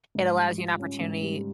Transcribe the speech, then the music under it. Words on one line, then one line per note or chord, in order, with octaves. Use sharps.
it allows you an opportunity
G#2
G3
F4
C#4
G#2
G3